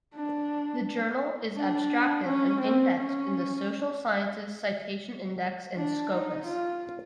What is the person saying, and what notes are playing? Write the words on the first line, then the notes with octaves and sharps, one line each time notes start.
The journal is abstracted and indexed in the Social Sciences Citation Index and Scopus.
D4
D4
C#4
C4
C#4
D4
D#4
F4